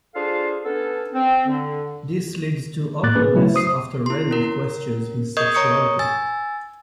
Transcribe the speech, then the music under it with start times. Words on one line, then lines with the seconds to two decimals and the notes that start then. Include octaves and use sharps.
This leads to awkwardness after Randy questions his sexuality.
0.15 D4 F4 G#4 A4 C5 F5
0.65 B3 C#4 D4 A4
1.13 C4
1.47 D3
3.03 A2 A#3 D6 F#6 A6
3.15 C#4 G#4 B4
3.34 C#3 F#3 A3 E4
3.54 C5 D#6 C7
4.06 E4 C6
4.31 C#4 A#4
5.37 A#4 D#5 C#6 D#6 G6 G#6
5.55 C#5 A#5 C#6 D#6 C#7
5.99 G#5 E6 A6